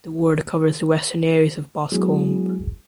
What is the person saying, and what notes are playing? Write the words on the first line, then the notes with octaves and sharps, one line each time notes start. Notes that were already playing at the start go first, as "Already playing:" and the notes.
The ward covers the western areas of Boscombe.
F#3 G#3 B3 E4 F#4 G#4